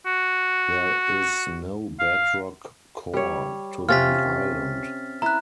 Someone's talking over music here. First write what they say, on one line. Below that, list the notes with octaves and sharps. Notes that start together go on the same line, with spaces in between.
There is no bedrock core to the island.
F#4
F5
G3 C#5
C3 C#4 F4 F6 A6 B6
E4 A#5 F#6